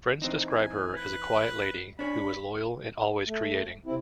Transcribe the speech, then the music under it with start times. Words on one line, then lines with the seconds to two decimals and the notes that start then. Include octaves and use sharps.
Friends describe her as a quiet lady who was loyal and always creating.
0.22 E3 C4 D#4
0.50 G#5
0.97 B4
1.99 D4 C#5 B5
3.27 A3
3.86 C3 C4 E4